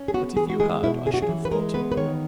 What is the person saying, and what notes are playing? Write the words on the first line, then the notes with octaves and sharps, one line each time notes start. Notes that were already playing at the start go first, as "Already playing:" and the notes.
But if you had I should have forgotten.
Already playing: C#4
G#4
B3 F#4
E3 G#4
F#4
G#3 G#4
B2 E4
C#4 G#4
F#4
G#4
E3
B4
G#3 A#4
B3 B4
B4
D#3 C#5